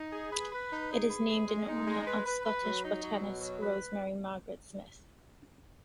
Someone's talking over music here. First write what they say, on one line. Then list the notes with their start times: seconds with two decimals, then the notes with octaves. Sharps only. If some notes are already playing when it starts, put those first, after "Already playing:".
It is named in honor of Scottish botanist Rosemary Margaret Smith.
Already playing: D#4
0.12 G#4
0.31 B4
0.51 B4
0.71 D#4
0.90 G#4
1.09 B4
1.28 G#4
1.48 G#3
1.67 D#4
1.87 G#3
2.06 B4
2.26 B4
2.45 B4
2.64 F#3
2.83 D#4
3.02 F#3
3.21 B2
3.41 F#3
3.61 B4